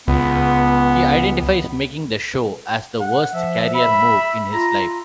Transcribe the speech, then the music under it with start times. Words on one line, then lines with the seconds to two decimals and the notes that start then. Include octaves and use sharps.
He identifies making the show as "the worst career move" in his life.
0.08 C#2 B3
3.00 F#5
3.34 F3 E5
3.75 E5 B5
4.53 F4 A#5